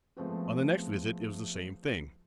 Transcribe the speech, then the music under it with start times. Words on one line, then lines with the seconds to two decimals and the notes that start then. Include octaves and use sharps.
On the next visit it was the same thing.
0.17 F3 G#3 A3 B3 C4 F#4